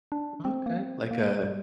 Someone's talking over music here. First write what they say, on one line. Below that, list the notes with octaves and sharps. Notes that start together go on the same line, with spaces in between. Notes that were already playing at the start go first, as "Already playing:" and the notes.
Okay, like a
D4
C4
A#3
C4
A#3
G3